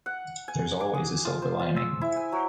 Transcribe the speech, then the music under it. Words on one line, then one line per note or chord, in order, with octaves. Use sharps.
There’s always a silver lining.
F#5
G#5
D6
G#4
F4
C5
F4
E6
E4
G#5
F#3